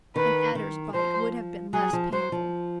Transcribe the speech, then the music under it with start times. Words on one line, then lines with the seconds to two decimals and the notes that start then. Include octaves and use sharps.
An adder's bite would have been less painful.
0.16 D#3 B4
0.55 D#3
0.94 F3 C5
1.73 F#3 G#4
1.93 F3
2.12 F#3 C5
2.32 F3